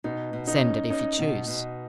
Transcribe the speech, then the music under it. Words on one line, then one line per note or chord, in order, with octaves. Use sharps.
Send it, if you choose!
B2 D#4
B2
D#4
C#4
C#4 D#4
B2
B2